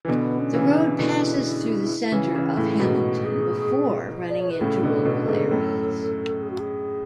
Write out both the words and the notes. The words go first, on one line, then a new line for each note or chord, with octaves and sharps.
The road passes through the center of Hammonton before running into rural areas.
E3
B2 D3 B3
C#4
C#3 E3
D4
B2 D3 E4
C#3 E3
C#3 E3
A2 C#3
E4
G#2 B2 F#4
G#4
D5
C#5
B4
A2 C#3 A4
B2 D3
B2 D3
G#2 B2
F#2 A2
G#4
F#4
G#4